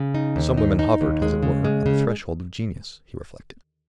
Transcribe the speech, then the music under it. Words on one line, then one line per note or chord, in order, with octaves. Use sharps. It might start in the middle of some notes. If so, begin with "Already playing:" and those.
Some women hovered, as it were, on the threshold of genius, he reflected.
Already playing: C#3
D#4
D#2
D#4
D#4
D#2
G#3
C#3
G#3
C#3